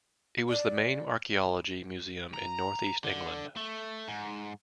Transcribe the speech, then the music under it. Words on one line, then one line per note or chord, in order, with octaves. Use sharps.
It was the main archaeology museum in north east England.
D5
A#5
D3
A3
G#2